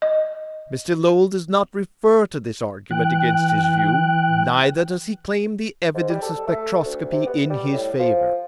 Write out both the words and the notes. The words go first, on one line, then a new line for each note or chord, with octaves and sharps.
Mr. Lowell does not refer to this argument against his view, neither does he claim the evidence of spectroscopy in his favour.
D#5
E3 G5 F#6
G#2
G3
A4
A3
D2
C3
B3
G3
A2
F3